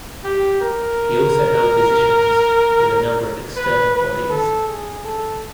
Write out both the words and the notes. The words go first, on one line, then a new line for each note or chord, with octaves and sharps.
He also held positions with a number of external bodies.
G4
A#4
B4
B4
A4
G#4
A4